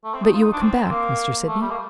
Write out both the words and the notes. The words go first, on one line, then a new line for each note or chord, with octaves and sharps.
"But you will come back, Mr. Sydney?"
A3
C4
D#4
F4
D#4
D4
C4
A#3
A3
G3
A#3